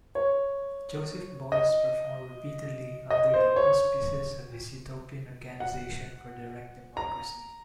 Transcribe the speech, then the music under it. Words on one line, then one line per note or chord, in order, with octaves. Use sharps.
Joseph Beuys performed repeatedly under the auspices of his utopian Organization for Direct Democracy.
C#5
D#5
D#5
C5
C#5
F#5
A#5